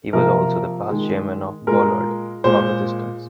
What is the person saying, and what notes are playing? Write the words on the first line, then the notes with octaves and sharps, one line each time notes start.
He was also the Past Chairman of Ballard Power Systems.
C3 F3 A#3 A#4
D#3 G#3
A#2 G#3 A#4
A#2 G#3 C5